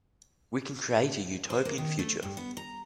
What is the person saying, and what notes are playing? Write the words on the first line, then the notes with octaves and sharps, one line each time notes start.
We can create a Utopian future.
C5
A#3
D#3
A3
G2
B3
A#5